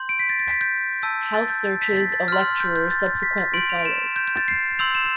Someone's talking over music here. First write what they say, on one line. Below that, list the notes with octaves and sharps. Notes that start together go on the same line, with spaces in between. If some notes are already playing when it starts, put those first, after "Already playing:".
House searches of lecturers subsequently followed.
Already playing: C6 G6
D7
B6
A6
A6
B6
G6
A5 E6 G6
A6
G6
A6
B6
A6
A6
C6 F6
G6
G6
A6
A6
B6
A6
C6 G6 D7
F7
D7
E7
G6
G6
A6
C7
C6 E6 G6 F7
E7